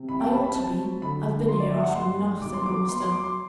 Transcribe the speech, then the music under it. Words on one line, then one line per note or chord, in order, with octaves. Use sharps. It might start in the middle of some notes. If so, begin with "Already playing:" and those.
"I ought to be; I've been here often enough," said Ormiston.
Already playing: C3
C2 B5
G5
A5
C3 B5
B5
C4 A5
F#3
D3 B5
D3
F#3 C6
D5
G2 E5
F#5
G2 C6
G2
B1 D6
C6
F#3 D6
B3 C6
C6
F#3 D6
C6